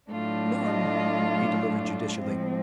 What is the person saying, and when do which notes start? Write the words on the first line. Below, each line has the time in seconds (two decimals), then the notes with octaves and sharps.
"None," he delivered judicially.
0.11 A2 F#3 A3 D4 F4
0.64 D#5
2.21 A2 F3 G#3 C4